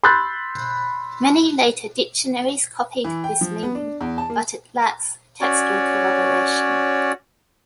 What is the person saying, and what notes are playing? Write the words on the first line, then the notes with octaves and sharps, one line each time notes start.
Many later dictionaries copied this meaning, but it lacks textual corroboration.
B5 C6 E6 F#6 G6 A6
E3
G5
F3
B3
D4
E2
A5
A#3
C#4 F#4 C#5 D5